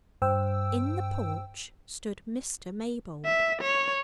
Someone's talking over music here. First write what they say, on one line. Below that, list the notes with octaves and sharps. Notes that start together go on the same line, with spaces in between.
In the porch stood Mr. Maybold.
G2 C5 G5 E6
E5
C#5